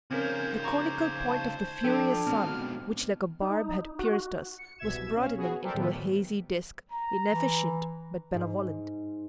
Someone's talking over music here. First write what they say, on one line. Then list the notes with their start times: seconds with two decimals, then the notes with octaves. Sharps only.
The conical point of the furious sun, which like a barb had pierced us, was broadening into a hazy disk, inefficient, but benevolent.
0.11 C#3 C4 C#4 D#4 A#4 C5 G#6
0.64 A#5 C#6 D6
1.28 A5
1.84 F3 D4 A4 G5 E6
2.27 G#2 B2 C4 F6
3.42 D#4
3.99 F#4
4.58 C#7
4.79 C2 B2 E5 G#6 E7
5.16 C#4 F5
5.36 B3 F#4 G#4
5.63 A4 A#4 C5 D5 E5 G5
5.74 A2 D#3 F#3 A3 B3
6.92 A#5
7.31 E3
8.34 G#2